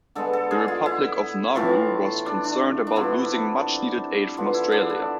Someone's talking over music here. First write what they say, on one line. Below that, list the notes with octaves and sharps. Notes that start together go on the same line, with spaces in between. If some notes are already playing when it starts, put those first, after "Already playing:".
The Republic of Nauru was concerned about losing much-needed aid from Australia.
D3 G#3 B3 A4
A4
G#4
F4
E4
A2 E3 A3 F4
D4
D4
D4
C3 F3 B3 E4
D3 F3 B3 F4
E4
D4
E4